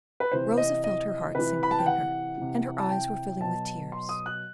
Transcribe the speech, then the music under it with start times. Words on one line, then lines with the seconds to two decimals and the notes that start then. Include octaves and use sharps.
Rosa felt her heart sink within her, and her eyes were filling with tears.
0.20 B4
0.32 C3 E3 C5
0.57 D#5
0.84 D#5
1.35 C3 E3 B4
1.63 B5
1.71 A5
1.79 G5
1.86 F#5
2.38 C3 E3
2.79 A5
2.89 G5
3.40 B2 F#3 A5
3.92 C6
4.09 D#6
4.26 F#6